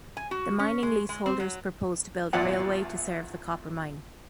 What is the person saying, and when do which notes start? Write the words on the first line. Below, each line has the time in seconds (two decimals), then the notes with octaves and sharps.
The mining lease holders propose to build a railway to serve the copper mine.
0.17 G#5
0.31 F#4
0.59 C#4
0.83 G#3
1.09 G#3
1.26 C4
1.40 F#3
2.33 G#1 E2 A#2 F4 D5 F#5